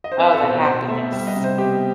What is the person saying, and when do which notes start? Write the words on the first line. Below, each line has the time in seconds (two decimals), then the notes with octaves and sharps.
oh, the happiness.
0.04 D#5
0.12 C5
0.18 C4 B4
0.34 A4
0.42 B2
0.49 C5
0.65 B2 C5
0.88 A3 E5
1.12 G3 E5
1.27 D#5
1.36 C3
1.44 C5
1.58 B3 G4